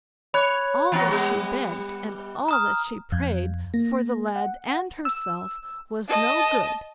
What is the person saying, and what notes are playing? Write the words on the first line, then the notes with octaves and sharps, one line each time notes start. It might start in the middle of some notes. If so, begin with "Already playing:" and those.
All that she begged, and all that she prayed, for the lad and herself, was no good.
C#5 B5 F#6
E3 B3 F#4
G3 B3
A#5 D#6 F6
F2
A#3
F#5
E6
D#5 A5